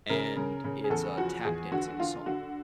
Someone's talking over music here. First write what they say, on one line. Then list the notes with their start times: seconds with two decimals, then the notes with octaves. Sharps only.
and it's a tap dancing song,
0.10 C#3 A#4
0.36 C#3
0.64 C#3
0.84 G#4
0.90 E2 A4
1.18 F3 F#4
1.45 E2 G#4
1.72 D3 F#4
2.00 D3 F4
2.26 D3 F#4